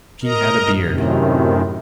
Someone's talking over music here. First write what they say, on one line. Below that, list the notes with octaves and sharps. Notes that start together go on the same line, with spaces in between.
She had a beard.
A#4 D#5 A#5
F#2 A2 C3 D#3